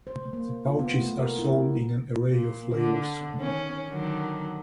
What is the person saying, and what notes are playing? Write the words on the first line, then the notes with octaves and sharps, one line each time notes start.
The pouches are sold in an array of flavors.
C5
A#3
F4
B3
A3
A#4
E4
A#2
D3
D#3 C#4
D3 D#3 F#3